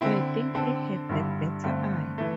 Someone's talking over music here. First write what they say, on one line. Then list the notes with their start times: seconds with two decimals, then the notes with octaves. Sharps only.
I think he had the better eye.
0.01 D3 C4 E4
0.55 D3 C4 A4
1.09 G2 D3 G3 E4 G4
1.64 G2 D3 A3 C4
2.18 E3 A3